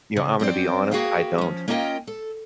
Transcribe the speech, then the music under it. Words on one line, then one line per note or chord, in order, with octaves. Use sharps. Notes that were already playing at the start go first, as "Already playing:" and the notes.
You know, I'm gonna be honest, I don't
C#3
F#3 C4 C5 D5
A#3 F#4 G#4 B4 F5 G5
F3 C#4
A#3 C#4 F4 A#4 D#5 G5
A4